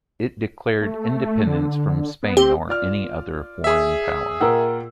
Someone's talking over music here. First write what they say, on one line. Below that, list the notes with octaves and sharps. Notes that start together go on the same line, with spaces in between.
It declared independence from Spain or any other foreign power.
A3
D3
B3
C4 G4
F4 D5 F6
G#4 E5
A#2 A#4 F#5 G5 E6